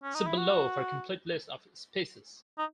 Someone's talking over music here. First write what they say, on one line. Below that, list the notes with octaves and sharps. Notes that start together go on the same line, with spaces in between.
See below for complete list of species.
C#4
D#4
E4
F#4
D#4